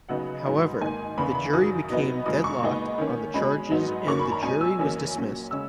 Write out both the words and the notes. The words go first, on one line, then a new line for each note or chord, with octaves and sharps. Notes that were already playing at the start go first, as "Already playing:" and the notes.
However, the jury became deadlocked on the charges and the jury was dismissed.
C#3 F#3 B3 D#4 F#5
G#2 F#3 B3 D#4
G#2 D#3 A#3 D#4 G#5
E2 C#3 E3 B3 B5
B5
F#2 D#3 F#3 D#6
B2 F#3 B3 D#4
F#2 C#3 G#3 D#6
C#6
A#2 G#3 B3 D#4
D#3 A#3 C#4
B2 G#3 C#4 B5
G#2 F#3 B3 D#4
F#2 D#3 A#3 C#4 C#6
B5
A#5
B2 G#3 C#4 G#5
E6
F#2 E3 A#3 C#4
A#2 F#3 C#4
C#3 G#3 C#4 E6